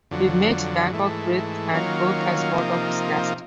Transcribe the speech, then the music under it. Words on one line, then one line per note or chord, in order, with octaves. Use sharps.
He makes Bangkok breathe and work as part of his cast.
F2 D3 F#3
G#2 E3 A3
D#3 F#3 A#3 C#4 F4
C3 F3 A#3 D#4